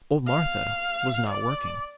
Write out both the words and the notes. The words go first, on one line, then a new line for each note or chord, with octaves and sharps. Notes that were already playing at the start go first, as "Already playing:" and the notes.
Old Martha was not working.
F5
D5